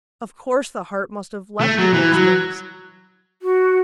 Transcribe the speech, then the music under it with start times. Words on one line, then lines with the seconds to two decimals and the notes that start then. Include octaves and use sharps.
Of course, the heart must have leaped in those days.
1.61 A3
1.78 F#3
1.94 E3
2.13 F#3
3.42 F#4